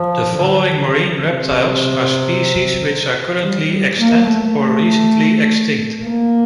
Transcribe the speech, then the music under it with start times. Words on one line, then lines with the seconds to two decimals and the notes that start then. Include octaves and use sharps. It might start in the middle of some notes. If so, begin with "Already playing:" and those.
The following marine reptiles are species which are currently extant or recently extinct.
Already playing: F3
0.34 D3
1.23 C3
3.42 G3
3.71 G3
4.00 A#3
4.30 A3
6.05 A#3